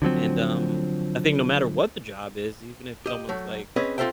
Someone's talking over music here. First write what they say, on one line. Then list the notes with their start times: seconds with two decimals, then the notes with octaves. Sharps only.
And, um, I think no matter what the job is, even if someone's like
0.02 D3 F3 F#3 C4
3.06 G4 D#5
3.29 F#3 A3
3.76 C4 C#4 G#4 B4 D#5
3.98 C4 F4 A4 C5 E5 G5